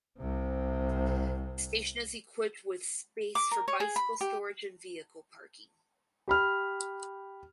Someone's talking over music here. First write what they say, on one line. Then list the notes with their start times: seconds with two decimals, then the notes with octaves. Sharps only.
The station is equipped with space for bicycle storage and vehicle parking.
0.19 C2 C3
3.35 D6
3.51 A#4
3.68 C#5
3.80 G#4
3.96 B5
4.21 G4
6.28 G4 B5 F6